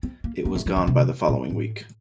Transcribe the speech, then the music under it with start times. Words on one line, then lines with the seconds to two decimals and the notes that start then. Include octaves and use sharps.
It was gone by the following week.
0.03 C4
0.24 A#3
0.45 A#3
0.55 A3
0.66 F3
0.76 D#3
0.87 C3
1.28 A#2
1.50 A2